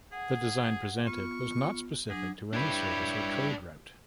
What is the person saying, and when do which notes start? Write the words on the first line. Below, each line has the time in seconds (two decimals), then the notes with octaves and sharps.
The design presented was not specific to any service or trade route.
0.12 G#4 F#5
1.06 B3 F4 C#6
2.10 F#3 D4 G#4
2.53 D4 E4 G4 B4 C#5